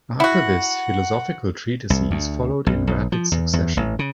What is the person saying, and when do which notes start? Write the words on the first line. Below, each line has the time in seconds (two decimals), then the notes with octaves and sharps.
After this, philosophical treatises followed in rapid succession.
0.20 E4 F#4 F#5
1.90 C2
2.11 D2
2.66 B1
2.87 B1
3.12 F3
3.32 E2
3.53 E2
3.77 A1
3.99 C#3